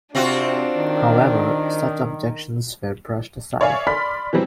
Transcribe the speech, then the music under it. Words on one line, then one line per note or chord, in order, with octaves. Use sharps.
However, such objections were brushed aside.
C3 C4 D4 F4 F#4
D#3
C#5 D5 E5 F5 G#5
D5 B5 C6 F6 B6
E3 F#3 G3 C4